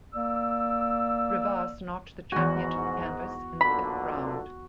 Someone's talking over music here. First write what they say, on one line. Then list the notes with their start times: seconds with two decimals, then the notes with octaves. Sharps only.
Rivas knocked the champion to the canvas in the fifth round.
0.14 A#3 D5 E6
2.32 E2 G#2 F#4 G#5
3.61 B1 A#2 D3 B5